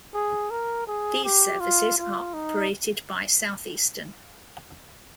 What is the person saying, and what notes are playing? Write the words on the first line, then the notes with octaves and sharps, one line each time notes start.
These services are operated by Southeastern.
G#4
A#4
G#4
G4
F4
F4
D#4